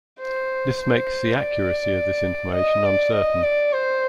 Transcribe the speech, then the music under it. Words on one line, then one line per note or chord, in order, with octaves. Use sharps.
This makes the accuracy of this information uncertain.
C5
C5
D5
D#5
D5
D#5
D5
C5